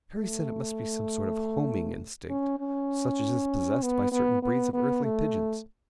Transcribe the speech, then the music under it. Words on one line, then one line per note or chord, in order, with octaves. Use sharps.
Perry said it must be some sort of homing instinct such as is possessed by certain breeds of earthly pigeons.
A3
C#4
C#4
B3
B3
B3
B3
A3